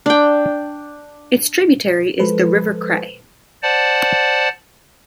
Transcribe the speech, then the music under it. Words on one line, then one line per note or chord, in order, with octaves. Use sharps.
Its tributary is the River Cray.
D4 G5
F3 G#3 A4 B4 C5
C5 D5 F#5 A5